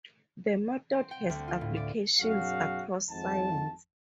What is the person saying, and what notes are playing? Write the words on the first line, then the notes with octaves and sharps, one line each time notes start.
The method has applications across science.
C4
G5
D2
F4
A2
D5
B1 F#2 F#3 F#4 G#4 F5
G#1 F2 G#2 A5